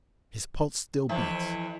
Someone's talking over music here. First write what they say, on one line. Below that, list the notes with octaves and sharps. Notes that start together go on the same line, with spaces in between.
His pulse still beats.
F2 E3